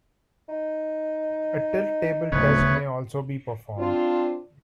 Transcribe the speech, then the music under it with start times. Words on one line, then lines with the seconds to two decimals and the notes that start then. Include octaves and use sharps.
A tilt table test may also be performed.
0.49 D#4
2.32 D1 D2 C#3 B3 C#5
3.79 C4 D4 F4